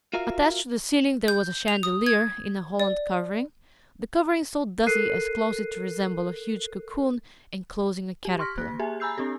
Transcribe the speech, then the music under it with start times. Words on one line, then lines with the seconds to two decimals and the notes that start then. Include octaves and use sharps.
Attached to the ceiling there was a chandelier in a holland covering--the covering so dusty as closely to resemble a huge cocoon enclosing a caterpillar.
0.13 F4 F#4 A#4 E5 F5
1.28 G6
1.68 F7
1.83 D#6
2.06 G#6
2.80 D5
4.86 A4 A#4 F#6 C7 D#7
8.25 G4
8.39 C6 C#6 F6 A#6 B6
8.58 A#3 F#6
8.79 G4 G#4 E5 G#5
9.00 G#5 A#5 B5 E6 G6 C7
9.18 C4 D4 G4 A4